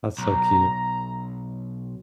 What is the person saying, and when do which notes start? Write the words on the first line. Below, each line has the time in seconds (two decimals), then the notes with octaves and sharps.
That's so cute.
0.18 B1 A#5